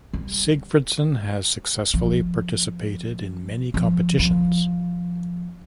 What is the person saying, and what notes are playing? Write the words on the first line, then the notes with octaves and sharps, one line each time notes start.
Sigfridsson has successfully participated in many competitions.
G3
F3
F3
F3